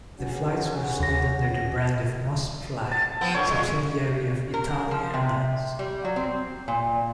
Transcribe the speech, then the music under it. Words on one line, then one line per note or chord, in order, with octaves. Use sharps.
The flights were sold under the brand of MustFly, a subsidiary of ItAli Airlines.
C#3 C#4 F#4
D#2 A#6
A5
F3 B3 C4
D3 F3 C#5 C#6
A#2 G#3
A#4
F3
C3
G3
F#3
C4
A#2